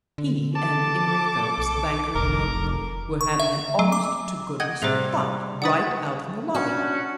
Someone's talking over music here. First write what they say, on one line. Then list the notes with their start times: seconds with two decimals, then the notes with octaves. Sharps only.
He and Emery Phelps, the banker, you know, were having an honest-to-goodness fight right out in the lobby.
0.18 D3
0.56 A4 A5 D6
1.58 B1
2.15 F1 A#1 A#4
3.21 C#6
3.40 E5
3.79 F#3
3.92 D6
4.60 D#5 F#5 G5 G#6
4.82 A2 C3 G3 G#4 C5
5.62 D4 B4 F#5 D#6 A6
6.55 C#4 D4 F#4